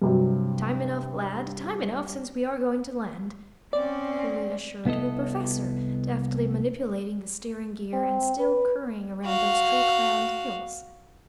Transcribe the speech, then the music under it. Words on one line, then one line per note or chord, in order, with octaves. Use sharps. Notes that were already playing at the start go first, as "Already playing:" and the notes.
"Time enough, lad, time enough, since we are going to land," coolly assured the professor, deftly manipulating the steering-gear and still curying around those tree-crowned hills.
G2 C3 F#3
C4 C#4 D5
C2 B3 E4 A4 D#5
C4
B4
F#4 F5